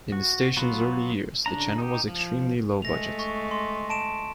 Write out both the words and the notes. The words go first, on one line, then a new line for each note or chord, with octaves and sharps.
In the station's early years, the channel was extremely low-budget.
F#4
F#3 B3 F4 F#4 B4
C#3 D4 A#5
D#4 G4
F3
G#3 A3 A#6 F7
C#6
C6
A5 D7 E7